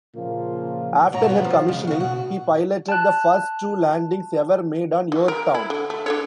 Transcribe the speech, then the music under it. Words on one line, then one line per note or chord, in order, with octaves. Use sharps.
After her commissioning, he piloted the first two landings ever made on "Yorktown".
A#2 C#3 F3 A#3 C#4 F4
G#2 B2 C#5 A#5
C#3 F#3 B3 F#4
F3
F2 C#3 G#3
C#3 F#4
B2 F#4
A5 F#6
E3
A#4
E4
D3
A3
D4 A4 C#5